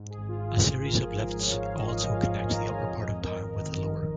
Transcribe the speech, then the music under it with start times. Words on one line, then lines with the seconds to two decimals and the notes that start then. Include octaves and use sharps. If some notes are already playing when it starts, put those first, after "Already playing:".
A series of lifts also connects the upper part of town with the lower.
Already playing: G#2
0.10 G#4
0.17 G#1
0.29 F4
0.41 G#1
0.48 G#4
0.66 G#1 G#4
0.84 A#4
0.91 F3
1.02 G#4
1.15 G#2
1.21 A#4
1.39 F3 C#5
1.58 F5
1.64 G#2 C#5
1.76 D#5
1.88 G#1
1.94 G#5
2.13 F3 F5
2.31 G#5
2.37 F3
2.49 A#5
2.62 G#1
2.68 G#5
2.86 F2 D#5
3.11 F2
3.23 A#4
3.35 D#3
3.60 D#3
3.84 D#3